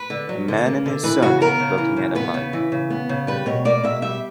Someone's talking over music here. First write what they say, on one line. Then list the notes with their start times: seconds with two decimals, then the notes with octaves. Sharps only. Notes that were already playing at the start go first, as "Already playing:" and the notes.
A man and his son looking at a mime.
Already playing: B4
0.10 D3
0.29 F#3
0.48 D3
0.66 A#3
0.86 D3
1.03 E3 B4
1.22 C#3 F#4
1.40 B3 A#4
1.60 C#3
1.78 E3
1.97 C#3
2.15 B3 B4
2.34 C#3
2.53 E3
2.72 C#3
2.90 B3
3.09 C#3
3.27 G3 B4
3.46 B2 C#5
3.65 A#3 D5
3.84 B2 E5
4.02 G3 E5